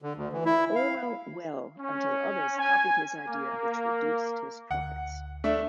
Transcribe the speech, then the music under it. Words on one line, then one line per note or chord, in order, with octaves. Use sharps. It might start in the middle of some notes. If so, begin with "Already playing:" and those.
All went well until others copied his idea, which reduced his profits.
D3
D2
E3
E4
F5
C#4
G#5
A#3
D2 F#5
A3 D4 E5